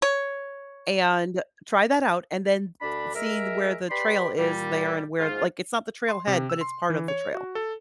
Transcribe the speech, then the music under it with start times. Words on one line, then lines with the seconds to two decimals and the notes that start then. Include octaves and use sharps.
and try that out, and then t t see where the trail is there and where like, it's not the trail head, but it's part of the trail.
0.02 C#5
2.82 D2 D4 B5
3.15 G#3 A#4 E5
3.90 G4 B4 D5 B5 C6
4.39 A#2 G3
5.19 G#2 F4
6.09 C6
6.27 C3
6.50 E6
6.61 C6
6.90 E3
7.08 C#5
7.34 F#4
7.55 A4